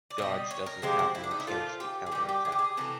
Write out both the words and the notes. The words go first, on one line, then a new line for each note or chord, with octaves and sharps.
Dodge doesn't have no chance to counterattack.
D5
B2 G3 D#5
C#5
A#4
C3 F3 G#3 G4
F#4
E4
D4
D#4
E4
A#2 F3 A3 F4
G4
G#4
A#2 G3 G4
G4
G#4
G4
G#4
C3 E3 A3 F#4